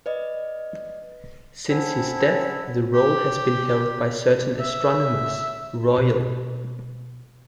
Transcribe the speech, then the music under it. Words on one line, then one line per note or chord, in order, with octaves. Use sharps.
Since his death, the role has been held by certain Astronomers Royal.
B4 D5 D#5
C4 C#4 E4 F#5 A5
G4
E5
B2